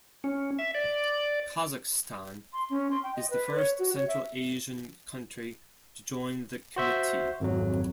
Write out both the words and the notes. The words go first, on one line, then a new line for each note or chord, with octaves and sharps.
Kazakhstan is the first Central Asian country to join the Committee.
C#4
E5
D5
C6
C#4
C6
G5
D#5
B4
C#5
F#4
C#5
E5
F#4 C5 E5
G#1 F2 F#3